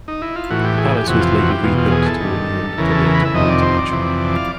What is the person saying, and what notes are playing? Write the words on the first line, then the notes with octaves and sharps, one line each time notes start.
The palace was later rebuilt toward the end of the Late Bronze Age.
D#4
E4
F4
A2 E3 F#4
G4
G#4
G4
F2 C3 E3 F#4
F4
F#4
G4
E2 B2 F4
F4
G#4
A4
G2 D#3
E2 C#3 E3 A#4
A4
A#4
B4
E5
F2 C3 D#3 D#5
D5
C5
D5
F2 C3 E3
F5